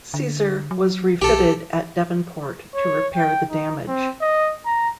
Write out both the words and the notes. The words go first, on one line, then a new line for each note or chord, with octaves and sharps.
"Caesar" was refitted at Devonport to repair the damage.
D3
F#3
B1 G4 A4
C#5
G5
D#4
C4
D#5
A#5